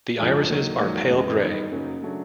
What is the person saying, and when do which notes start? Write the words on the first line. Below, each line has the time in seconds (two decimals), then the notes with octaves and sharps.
The irises are pale grey.
0.18 G#1 F#2 D3 F3 G#3
0.49 D#2 D#3 F#3
0.80 A#1 G#2 D#3 F#3
1.10 F2 C#3 E3 G#3
1.41 G2 D#3 G3 B3 D#4
1.71 F#2 C#3 F#3 A#3 D#4
2.03 C#3 F#3 A3 D4